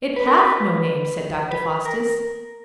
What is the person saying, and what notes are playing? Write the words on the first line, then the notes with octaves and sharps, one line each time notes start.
"It hath no name," said Dr. Faustus.
B4
A#4
B4
B4
A#4